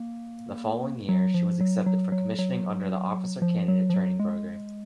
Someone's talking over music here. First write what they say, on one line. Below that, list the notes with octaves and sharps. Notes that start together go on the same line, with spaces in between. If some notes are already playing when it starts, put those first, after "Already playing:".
The following year, she was accepted for commissioning under the Officer Candidate training program.
Already playing: A#3
F#3
F3
F#3
F#3
F#3
F#3
F3
F#3
F3
F#3
G#3